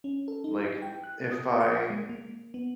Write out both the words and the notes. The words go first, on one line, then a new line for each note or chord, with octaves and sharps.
Like, if I
C#4
A4
D#4
E4
G5
F#6
D#6
F#5
G#6
G#3
A#3
B3